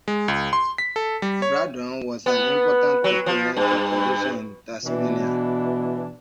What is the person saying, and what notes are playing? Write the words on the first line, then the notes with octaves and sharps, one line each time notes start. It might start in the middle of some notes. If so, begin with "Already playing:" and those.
Braddon was an important proponent of federation in Tasmania.
G#3
C#2
C6
B6
A4
G3
C#5
B3
F#3
F3
G2
B2 E3 D4